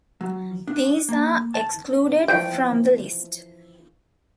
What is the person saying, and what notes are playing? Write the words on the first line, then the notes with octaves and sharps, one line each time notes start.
These are excluded from the list.
F#3
D4
A#3
A5
E3 F3 G5